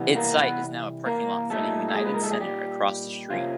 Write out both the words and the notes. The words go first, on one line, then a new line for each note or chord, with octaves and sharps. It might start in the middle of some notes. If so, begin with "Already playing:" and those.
Its site is now a parking lot for the United Center across the street.
Already playing: C2 C3 E3 G3 B3
A#3 A#4
B3 B4
A#3 A#4
A#2 G3 A3 C4 D#4 A4
A4
G#3 G#4
B4
A#4
A4
G#4
G3 G4
F2 C3 F3 A#3 C#4 F4